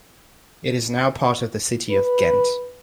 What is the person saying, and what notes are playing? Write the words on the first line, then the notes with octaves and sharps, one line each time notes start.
It is now part of the city of Ghent.
B4